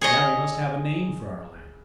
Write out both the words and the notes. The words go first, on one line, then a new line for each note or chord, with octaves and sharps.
Now we must have a name for our land.
G#4 C#5 D#5